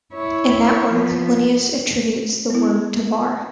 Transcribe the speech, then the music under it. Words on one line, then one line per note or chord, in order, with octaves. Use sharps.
In that work, Linnaeus attributes the word to Varr.
E4 C#5
F3 B3
B3 E4